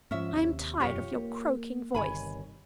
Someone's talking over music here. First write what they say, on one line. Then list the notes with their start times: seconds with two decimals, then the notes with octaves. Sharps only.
I am tired of your croaking voice.
0.11 G#2 F3 C#4 E5
0.32 D#2 C3
0.80 E1 F#2 F4 G4 C#5
1.16 A#3
1.94 G1 C3 D#3 C#5 G#5 B5